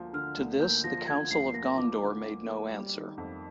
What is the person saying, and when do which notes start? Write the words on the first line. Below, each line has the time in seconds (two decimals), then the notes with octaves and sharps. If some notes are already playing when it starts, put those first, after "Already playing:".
To this, the Council of Gondor made no answer.
Already playing: D2 F3 A#3
0.13 D3 F6
0.37 D2
0.60 A#3 G6
0.84 F3 A#6
1.08 D3 G#6
1.30 D2 C7
1.54 A#3 A#6
1.77 F3 D6
2.02 D3
2.24 D2
2.48 A#3
2.71 G3
2.95 D#3
3.18 F2